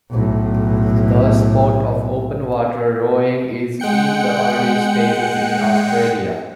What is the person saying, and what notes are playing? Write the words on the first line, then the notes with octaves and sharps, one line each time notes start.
The sport of open water rowing is in the early stages in Australia.
B1 A2
G#3 F#5 G5 C#7